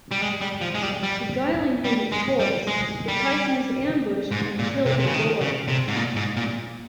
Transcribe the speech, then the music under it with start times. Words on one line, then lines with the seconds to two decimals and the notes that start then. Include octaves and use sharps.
Beguiling him with toys, the Titans ambushed and killed the boy.
0.11 G3
0.21 G#3
0.41 G3
0.61 F3
0.75 G#3
0.82 G3
1.03 G3
1.84 G3
2.12 G#3
2.40 G3
2.67 G#3
3.08 G3
4.31 G#2
4.59 A#2
4.86 C3
5.00 C3
5.06 C#3
5.14 D#3
5.41 C#3
5.68 C3
5.88 G#2
5.96 A#2
6.16 G#2
6.37 A#2